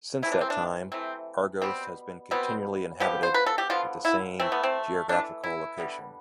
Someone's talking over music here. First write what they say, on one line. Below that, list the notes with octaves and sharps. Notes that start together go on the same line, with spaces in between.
Since that time, Argos has been continually inhabited at the same geographical location.
C3 E3 A3 E4
D4
C4
D4
C3 E3 A3 C4
B2 G3 B3 C4
B2 G3 B3 C4
D3 F3 B3 G4
C5
B4
A4
G4
D3 F3 B3 F4
E4
E3 A3 C4
B3
C4
E3 A3 D4
E4
D3 G3 B3